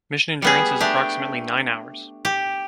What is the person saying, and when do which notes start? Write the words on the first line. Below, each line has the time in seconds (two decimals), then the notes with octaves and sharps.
Mission endurance is approximately nine hours.
0.42 G3 B3 G#4
0.81 A3 D4 G4
2.25 G4